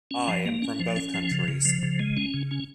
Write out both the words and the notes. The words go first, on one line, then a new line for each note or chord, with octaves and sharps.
I am from both countries.
C#4
F3
A#3
C#4
F3
C#4
F3
C#3
C#3
F3
C#3
G#3
C#4
C#3
C#4